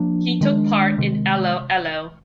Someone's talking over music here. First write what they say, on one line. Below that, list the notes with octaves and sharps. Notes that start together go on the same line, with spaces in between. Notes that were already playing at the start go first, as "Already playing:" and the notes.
He took part in 'Allo 'Allo!
Already playing: F3 A#3 D4
D#3 G#3 D4
C3 D#3 G#3